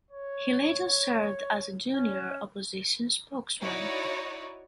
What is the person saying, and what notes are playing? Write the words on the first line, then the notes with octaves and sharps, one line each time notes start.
He later served as a junior opposition spokesman.
C#5
C#4
D#4 E4 F#4 C#5 D5